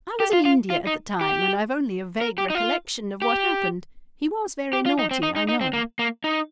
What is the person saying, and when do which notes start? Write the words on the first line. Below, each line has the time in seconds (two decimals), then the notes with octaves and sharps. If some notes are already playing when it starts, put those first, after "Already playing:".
"I was in India at the time, and I've only a vague recollection of what happened; he was very naughty, I know."
0.20 G4
0.33 F4
0.45 F4
0.70 F4
0.87 D#4
1.21 G4
2.21 A#4
2.38 G4
2.50 D#4
2.55 F4
3.22 G4
4.73 G4
4.86 F4
4.99 D#4
5.11 C4
5.23 D#4
5.36 D#4
5.49 D#4
5.61 C4
5.73 A#3
5.99 A#3
6.24 D#4